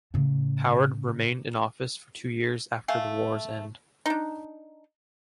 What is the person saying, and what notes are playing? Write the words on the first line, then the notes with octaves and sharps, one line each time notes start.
Howard remained in office for two years after the war's end.
A2 C#3
A3 F5 G#5
D4 D#4